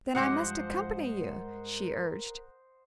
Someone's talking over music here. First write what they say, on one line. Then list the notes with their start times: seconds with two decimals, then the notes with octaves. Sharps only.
"Then I must accompany you," she urged.
0.15 G2 F3 G#3 G4 C5 D#5 F#5
1.20 A#4